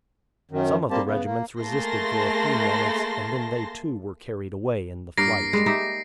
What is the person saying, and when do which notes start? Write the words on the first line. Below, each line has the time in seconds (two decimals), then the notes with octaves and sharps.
Some of the regiments resisted for a few moments, and then they too were carried away in the flight.
0.51 F#2 D#3
0.90 G3 A#3 C4 G4 A5
1.05 C#3 B3
1.25 A#3
1.60 A3 A#3 G#4 A5 C6 A#6
5.17 G2 A#3 A#6 C7 D7
5.53 G3 G#3
5.66 D#4 G4 E5